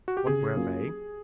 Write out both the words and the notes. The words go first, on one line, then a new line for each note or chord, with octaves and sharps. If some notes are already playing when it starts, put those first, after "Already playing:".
"What were they?"
F#4
G4
C#3 G#4
F#3 A#3 C#4 F4